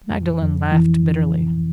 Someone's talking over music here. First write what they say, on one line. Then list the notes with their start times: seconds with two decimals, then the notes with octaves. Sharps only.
Magdalen laughed, bitterly.
0.10 F2
0.42 F2
0.72 E3